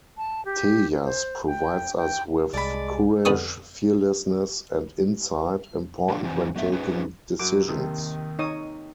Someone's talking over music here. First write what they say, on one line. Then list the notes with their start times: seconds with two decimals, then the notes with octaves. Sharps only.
Tejas provides us with courage, fearlessness and insight, important when taking decisions.
0.17 A5
0.45 G4
1.04 C5
1.46 G5
1.98 G5
2.53 C2 G#3 D5 A5 B5
3.25 F2 D3 B3 G#5 C#6 D#6
6.09 D3 F3 D4 F4
6.23 E3 F3 C4 G#5
6.56 F#3 B3 E5
6.73 C#4 D#4 G#4 B4
7.39 F#2 F#3 D6
7.68 D#2 C3 D#3
8.39 D#4 C#5 D#6